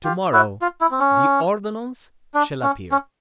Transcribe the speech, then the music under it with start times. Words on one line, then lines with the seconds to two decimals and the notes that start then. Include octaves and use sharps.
"To-morrow the ordonnance shall appear."
0.04 F4 G4
0.32 E4 F#4
0.62 F4
0.81 E4
0.91 C4
1.00 C#4
2.34 D4
2.63 C#4
2.91 C#4